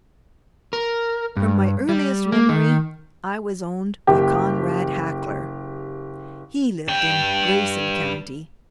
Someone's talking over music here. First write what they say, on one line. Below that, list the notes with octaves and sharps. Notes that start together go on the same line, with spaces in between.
From my earliest memory I was owned by Conrad Hackler; he lived in Grason County.
A#4
G2
G3
A#3
D#3
F#1 G4
G2 G5